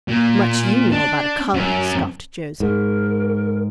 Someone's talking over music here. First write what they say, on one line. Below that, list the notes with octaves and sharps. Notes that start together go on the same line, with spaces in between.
Much you know about a colour,' scoffed Josie.
A#2
D4
F#2
G#2 A#4